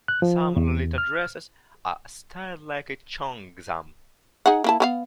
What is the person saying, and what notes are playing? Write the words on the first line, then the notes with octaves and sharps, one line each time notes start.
Some Lolita dresses are styled like a cheongsam.
F#6
F3
E2
F6
D#4 G#4 F#5
A#3 E4 A5
B3 C4 F5